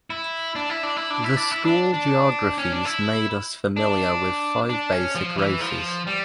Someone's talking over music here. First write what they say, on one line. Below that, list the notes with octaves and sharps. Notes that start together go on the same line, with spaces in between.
The school geographies made us familiar with five basic races.
E4
D4
E4
D4
E4
D4
E4
D4
E4
D4
D4
C#4
D4
E4
D4
D4
C#4
F3
E3
F3
G3